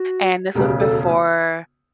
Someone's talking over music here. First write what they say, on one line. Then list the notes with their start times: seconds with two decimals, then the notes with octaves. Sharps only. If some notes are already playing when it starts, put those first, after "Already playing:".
And this was before,
Already playing: F#4
0.55 E1 D2 C#3 G4
0.80 A4